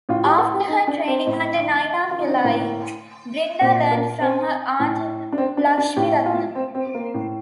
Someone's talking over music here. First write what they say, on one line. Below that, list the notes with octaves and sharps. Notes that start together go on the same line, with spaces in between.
After her training under Naina Pillai, Brinda learnt from her aunt Lakshmiratnam.
A2 F4
G4
A4
G4
D#4
D4
C4
A2
F4
D#4
D4
C4
A2 A#3
A#2 C4
A#3
C4
A2
D4
C4
D4
D4
A2 G4
F4
C4
C4
C4
A#3
A2